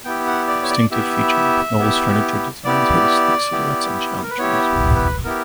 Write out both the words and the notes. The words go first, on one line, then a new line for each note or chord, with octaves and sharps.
The distinctive features of Knoll's furniture designs were the sleek silhouettes and geometries.
B3 E4 G4 G5
F#5
D5
C#5
D5
B3 E4 G4 E5
B3 E4 G4
B3 E4 G4 D5
B3 E4 G4
A#4
B4
B3 E4 G4 C#5
B4
B3 E4 G4 A#4